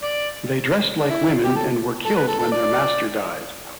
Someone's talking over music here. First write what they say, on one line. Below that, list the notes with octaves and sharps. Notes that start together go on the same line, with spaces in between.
They dressed like women and were killed when their master died.
D5
D4
E4
G4
A4
A4
B4
A4
A4
D5